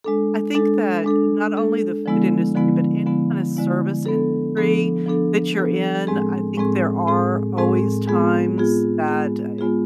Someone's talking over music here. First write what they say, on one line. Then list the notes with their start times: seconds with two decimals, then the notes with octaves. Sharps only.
I think that not only the food industry, but any kind of service industry that you're in, I think there are always times that, I
0.04 G#3 D4 A4
0.54 G#3 D4 A4
1.04 G#3 D4 A4
1.54 G#3 D4 A4
2.06 D3 F3 G#3 B3 E4
2.55 D3 F3 G#3 B3 E4
3.06 D3 F3 G#3 B3 E4
3.57 D3 F3 G#3 B3 E4
4.06 F3 B3 D4 A4
4.57 F3 B3 D4 A4
5.06 F3 B3 D4 A4
5.57 F3 B3 D4 A4
6.07 A2 G#3 C4 G#4
6.58 A2 G#3 C4 G#4
7.07 A2 G#3 C4 G#4
7.58 A2 G#3 C4 G#4
8.08 G#3 B3 F4 G#4
8.58 G#3 B3 F4 G#4
9.08 G#3 B3 F4 G#4
9.59 G#3 B3 F4 G#4